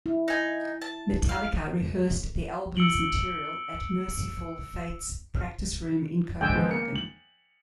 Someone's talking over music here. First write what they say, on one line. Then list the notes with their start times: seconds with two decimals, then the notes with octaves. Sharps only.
Metallica rehearsed the album's material at Mercyful Fate's practice room in Copenhagen.
0.06 E4
0.28 D#4 G#5
0.82 A5
1.29 F5
2.76 E6 C#7 D7 F#7 G7
6.41 G#2 D3 G5 G#5 E6
6.54 F3 G#3 B3
6.69 A#3 C#7
6.96 F#7